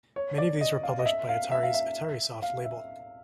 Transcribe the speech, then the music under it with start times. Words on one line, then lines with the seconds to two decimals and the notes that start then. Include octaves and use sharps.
Many of these were published by Atari's Atarisoft label.
0.16 C#5
0.38 D5
0.61 D#5
0.83 F5
0.99 D#5
1.06 E5
1.29 F5
1.51 E5
1.63 F5
1.74 E5
2.42 F5
2.64 E5